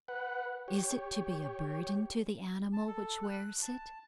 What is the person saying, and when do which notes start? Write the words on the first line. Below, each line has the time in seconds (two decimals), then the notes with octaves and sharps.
Is it to be a burden to the animal which wears it?
0.08 B4 F#5
0.68 G4 C#5
2.73 A5
2.87 A4
3.23 F#6
3.62 A5